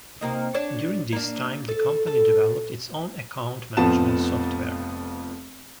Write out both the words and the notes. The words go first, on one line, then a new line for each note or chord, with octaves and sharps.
During this time, the company developed its own account management software.
C3 A#3 D#4
D4 C#5 D5
A#3 D4
A4
A4
F1 F2 F3 B3 A5 E7